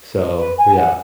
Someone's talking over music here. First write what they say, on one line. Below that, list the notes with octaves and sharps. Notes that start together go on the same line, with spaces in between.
so yeah.
B4
G#5
F#5